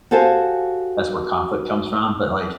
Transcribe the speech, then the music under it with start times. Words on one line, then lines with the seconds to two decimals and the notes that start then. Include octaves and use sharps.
that's where conflict comes from, but like
0.11 F#4 G4 A4 C5 F5 G#5